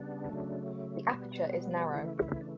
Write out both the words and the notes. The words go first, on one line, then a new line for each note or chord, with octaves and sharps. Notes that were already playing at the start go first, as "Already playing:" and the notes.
The aperture is narrow.
Already playing: C#3 G3 B3 D4
C#3 F#3 A3
B2 G3 B3
C#3 E3 A3 E4
F#4
E4
D4